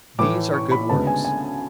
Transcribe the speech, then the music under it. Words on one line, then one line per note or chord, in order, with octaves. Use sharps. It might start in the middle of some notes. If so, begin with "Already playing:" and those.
These are good works.
A2 E3 A3 D6
C#6
B5
D2 C#3 G#3 B3 A5
G#5
G#5